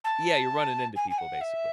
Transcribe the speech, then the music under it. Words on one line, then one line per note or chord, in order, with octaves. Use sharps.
Yeah, you're running into people, basically.
A5
G#5
G#5
F#5
E5